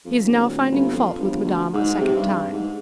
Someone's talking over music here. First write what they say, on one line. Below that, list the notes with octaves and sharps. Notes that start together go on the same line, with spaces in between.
"He is now finding fault with Madame a second time."
F2
D1
G1
F2
G1
D2
G#2
C3
G2
G#2